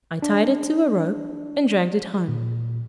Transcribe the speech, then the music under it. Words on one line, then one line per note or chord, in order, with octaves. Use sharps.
'I tied it to a rope, and dragged it home.
D4
A#2